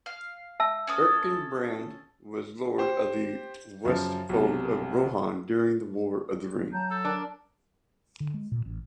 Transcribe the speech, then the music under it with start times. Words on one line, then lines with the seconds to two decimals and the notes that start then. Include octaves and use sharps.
Erkenbrand was lord of the Westfold of Rohan during the War of the Ring.
0.06 F5
0.60 E5 A5 E6
0.87 C#4 A4 D#6
2.78 G4 C5
3.85 F#2 C#3 F3
4.29 B1 C3
6.73 F#3 A5 A#5 G6
6.91 A4
7.05 D4 A#4 G5
8.20 D3
8.34 G#3
8.52 A#2
8.66 A1